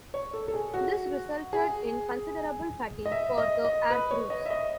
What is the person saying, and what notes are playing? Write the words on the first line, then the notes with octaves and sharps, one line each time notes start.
This resulted in considerable fatigue for the air crews.
C#5
A4
A4
G#4
F#4
G#4
D#5
E5
D#5
D#5
B4
C#5
D#5
E5
D#5